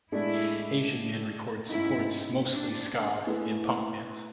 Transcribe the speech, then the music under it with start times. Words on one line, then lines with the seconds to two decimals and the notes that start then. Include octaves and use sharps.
Asian Man Records supports mostly ska and punk bands.
0.11 A2 G#3 D4 E4 A4 D5
1.69 G#2 G#3 C#4 E4
2.48 D4
3.26 A3 E4 G#4 B4